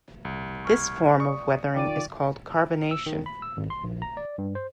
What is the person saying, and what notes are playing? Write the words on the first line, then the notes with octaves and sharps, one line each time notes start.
This form of weathering is called carbonation.
C2
C#6 F6 G#6
D5 C#6 D#6
D#3 F4 D5 G5 D6 D#7
E6
D#3
B5
E6
G#1
C6
A#1
A#5
D5
G2
C5